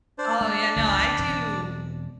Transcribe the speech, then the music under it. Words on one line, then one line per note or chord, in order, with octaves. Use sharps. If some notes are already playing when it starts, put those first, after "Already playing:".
Oh, yeah, no, I do
D4 C5
G#3 D4
G1 C#2 F3
E1 E3 C4